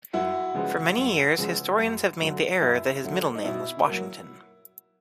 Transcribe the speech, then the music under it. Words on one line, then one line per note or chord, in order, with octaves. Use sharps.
For many years, historians have made the error that his middle name was Washington.
F#2 E4 F#4
C#3 F3 G#3 B3
F#2
C#3 F3 G#3 B3
F#2
D3 F#3 A3
F#2 E4
D3 F#3 A3
D#4
B2 E4
F#3 A#3